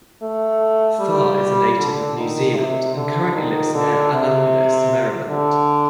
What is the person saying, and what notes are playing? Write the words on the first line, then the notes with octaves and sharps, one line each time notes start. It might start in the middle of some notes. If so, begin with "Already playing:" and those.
Farr is a native of New Zealand and currently lives near Annapolis, Maryland.
A3
G3
D3
D#3
C3
D3
D#3
D3
C3
D3